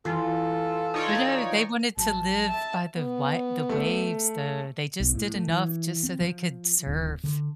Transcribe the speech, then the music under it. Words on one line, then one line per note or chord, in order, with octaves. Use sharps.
But no, they wanted to live by the wa the waves, though. They just did enough just so they could surf.
E3 F4 A4
D#4 F4 C#5 D5
A1 A2 F#3 A5
E5 A5
B3
A3
B1
A2
A3
E3
C4
F3
D1
D3